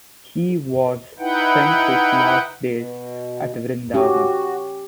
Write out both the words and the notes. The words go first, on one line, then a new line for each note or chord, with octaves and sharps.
He was spent his last days at Vrindavan.
D#4 E4 B4 F#5 G5
B2
C#4 F#4 G4